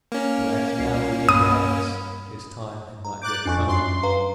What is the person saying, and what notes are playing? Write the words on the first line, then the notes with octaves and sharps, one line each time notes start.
To act now would be madness, his time had not yet come.
A#3 C#4
C2 A#2 C7
G2 B5 D#6
A#5
D6 F#6 G6 A6
F2 D4 G#5 C#6
F#2 C6
B4 F5 A#5